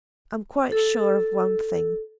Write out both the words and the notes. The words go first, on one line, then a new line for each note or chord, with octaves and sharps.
I'm quite sure of one thing.
A4